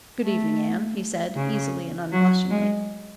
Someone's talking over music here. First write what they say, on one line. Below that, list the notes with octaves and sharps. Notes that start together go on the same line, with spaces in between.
"Good evening, Anne," he said, easily and unblushingly.
A3
C#3
F#3
G#3